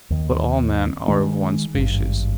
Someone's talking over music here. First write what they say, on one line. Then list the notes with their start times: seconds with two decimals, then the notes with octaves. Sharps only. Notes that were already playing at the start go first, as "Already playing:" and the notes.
But all men are of one species.
0.10 D#2 D#3
1.08 D#3 G#3
1.74 G#1 G2